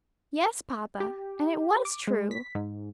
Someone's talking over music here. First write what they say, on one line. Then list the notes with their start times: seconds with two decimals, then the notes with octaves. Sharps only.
"Yes, papa, and it was true."
1.00 G4
1.85 D6
2.07 G#3
2.31 B6
2.55 G#2